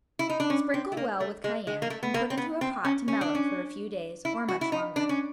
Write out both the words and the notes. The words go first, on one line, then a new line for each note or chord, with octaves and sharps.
Sprinkle well with cayenne and put into a pot to mellow for a few days, or much longer.
E4
D#4
D4
C#4
C4
A3
A#3
A3
G#3
G#3
A#3
A3
B3
A#3
C4
B3
C4
C#4
C#4
D4
C#4
E4
F#4
E4
D#4
D4
C#4